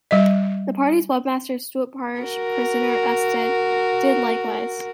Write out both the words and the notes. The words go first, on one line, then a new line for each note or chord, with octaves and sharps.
The party's webmaster, Stuart "Parish Poisoner" Estell did likewise.
G3 D#5
F#4 A#4